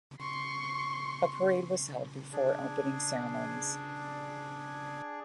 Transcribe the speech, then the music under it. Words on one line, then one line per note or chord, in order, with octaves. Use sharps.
A parade was held before opening ceremonies.
C6 C#6
D4 G#4